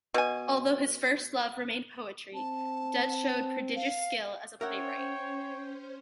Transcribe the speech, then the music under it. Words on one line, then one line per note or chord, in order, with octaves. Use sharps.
Although his first love remained poetry, Dutt showed prodigious skill as a playwright.
B2 G#5
C4 A5
F5
C#4 A#4 C5 C#5 E5 F#5 G5